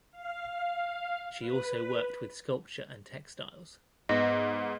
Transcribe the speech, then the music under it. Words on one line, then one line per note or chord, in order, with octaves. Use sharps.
She also worked with sculpture and textiles.
F5
B4
G#2 B3 D#5